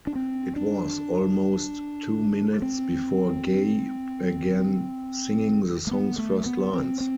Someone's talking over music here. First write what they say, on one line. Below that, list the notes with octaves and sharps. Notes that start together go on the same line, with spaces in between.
It was almost two minutes before Gaye began singing the song's first lines.
D4
C4
D4
C4
A3
B3
A3
B3
C4
C4